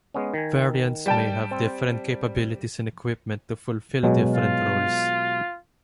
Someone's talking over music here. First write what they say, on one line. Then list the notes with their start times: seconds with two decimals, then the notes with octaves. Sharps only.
Variants may have different capabilities and equipment to fulfill different roles.
0.14 G#3 B3 C#4
0.34 D#3 G#5
1.06 G3 G5 A5
1.51 C4
4.03 B2 F#3 G#3
4.34 F4